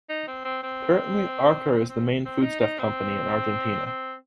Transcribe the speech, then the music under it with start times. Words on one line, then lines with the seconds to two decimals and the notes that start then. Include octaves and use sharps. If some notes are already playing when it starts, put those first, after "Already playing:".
Currently, Arcor is the main foodstuff company in Argentina.
0.09 D#4
0.27 C4
0.44 C4
0.63 C4
1.71 C4
1.89 C4
2.25 C4
2.42 D#4
2.61 D#4
2.79 C4
3.87 C4